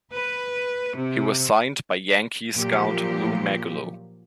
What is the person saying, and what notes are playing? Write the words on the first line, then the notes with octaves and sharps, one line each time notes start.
He was signed by Yankees scout Lou Maguolo.
B4
C3
A#2 F3 F#3 G4